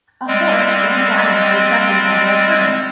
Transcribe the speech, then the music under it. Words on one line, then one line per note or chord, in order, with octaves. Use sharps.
A horse and rider are jumping over a hurdle.
G3 G#3 C4